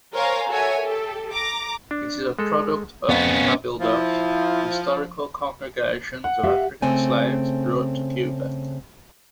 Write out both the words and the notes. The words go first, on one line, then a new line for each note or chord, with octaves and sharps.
It is a product of "cabildos", historical congregations of African slaves brought to Cuba.
A#4 C5 C#5 F5 G#5 A#5
F#4 A4 A#4 C#5 E5 G#5
G4 A4
A#5 D6
D4
G#3 A4
F2 B3 C#4
F3 E4
F#5
G4 E5 F5
C#3 A3 C4 G#5